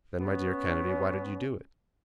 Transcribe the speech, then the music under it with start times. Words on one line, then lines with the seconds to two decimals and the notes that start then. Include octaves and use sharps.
"Then, my dear Kennedy, why did you do it?"
0.21 B3 C#4